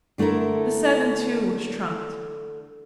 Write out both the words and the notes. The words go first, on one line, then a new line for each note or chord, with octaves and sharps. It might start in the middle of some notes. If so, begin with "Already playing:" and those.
The seven too was trumped.
D3 A3 E4 A4 A#4